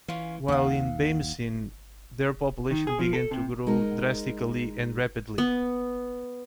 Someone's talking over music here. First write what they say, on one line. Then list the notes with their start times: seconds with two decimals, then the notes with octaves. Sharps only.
While in Bamessin, their population began to grow drastically, and rapidly.
0.08 E3 C#4 F4
0.48 D#2 F5 F#5
2.71 D#3
2.87 G#4
2.99 F3
3.13 A4
3.31 C3
3.67 G#3 D#4 A#4
5.38 B3